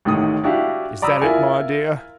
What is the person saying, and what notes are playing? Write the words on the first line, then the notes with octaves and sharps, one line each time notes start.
Is that it, my dear?'
A1 A2 D#3 D#6
D4 E4 F#4 G4 F5
D5 A#5 B5 D#6 E6
E4 F4 A#4 G#5